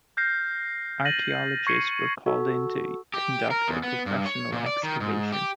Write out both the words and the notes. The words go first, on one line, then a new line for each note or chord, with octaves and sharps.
Archeologists were called in to conduct a professional excavation.
F6 G6 A#6 C7
A6 A#6 D#7 F#7
C#6 G#6 C7 C#7
F#4 A4
G4
A#4
E2
B3
G2
C#5
A#2
D5
D#3
G#2
G4